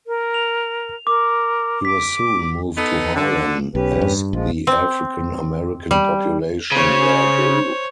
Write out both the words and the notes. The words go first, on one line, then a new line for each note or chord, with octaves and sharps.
He was soon moved to Harlem, as the African-American population there grew.
A#4
F7
A#4 D6
D6 B6
B3 D#4 A4 B4
D3
B1 C#4 G4 B4
G2
A#1 F3 G#3 F4
C4
G3
C#3 C5 C#5